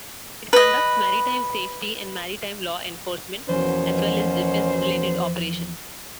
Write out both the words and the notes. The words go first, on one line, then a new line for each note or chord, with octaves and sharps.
It conducts maritime safety and maritime law enforcement as well as defence-related operations.
B4 D#5
E2 B2 F3 A#3 C#4 C5